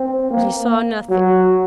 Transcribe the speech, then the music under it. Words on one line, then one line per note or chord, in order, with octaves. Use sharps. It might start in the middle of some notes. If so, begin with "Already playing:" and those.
But he saw nothing.
Already playing: C4
A#3
F#3